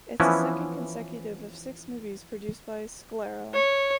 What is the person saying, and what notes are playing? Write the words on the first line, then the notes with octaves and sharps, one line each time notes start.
It’s the second consecutive of six movies produced by “Scalera”.
E3 F3 B3 C#4 E4
C#5